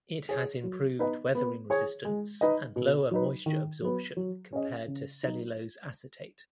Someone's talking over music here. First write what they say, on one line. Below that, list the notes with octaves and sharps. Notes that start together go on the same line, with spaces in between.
It has improved weathering resistance and lower moisture absorption compared to cellulose acetate.
G#4 C#5
F#3
B3 D#4 B4 D#5
B3
G#4 C#5
G#3
D#4 B4 D#5
B2
F#3 D#4 B4
D#3
F#3 B3
F#3
C#4 G#4 D#5
C#3
F#3 D#4